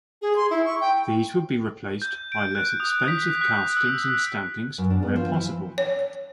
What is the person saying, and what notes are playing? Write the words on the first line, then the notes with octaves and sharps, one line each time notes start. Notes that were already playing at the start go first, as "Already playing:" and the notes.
These would be replaced by less expensive castings and stampings where possible.
G#4
C6
E4
C#6
G5
G6
D7
F#6
D#6
B6
F#6
E6
F#2
D4
B3
F3
E3
C#5